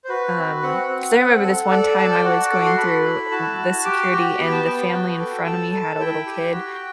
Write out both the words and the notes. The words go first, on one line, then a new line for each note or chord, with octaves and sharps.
Um, 'cause I remember this one time I was going through the security, and the family in front of me had a little kid,
C5
F#4 B4
C4
C4 F#5
C4
C4
A4
A4 D5
A4 A5
G5
F#4 F#5
A4 D6
C6
A4 B5
E4
F#4 A5
F#4
G4 D6
G4 G5
B3 G5
A5
B3 G5
F#4
A4
A4 A5
A4
E4 G5
G4
F#4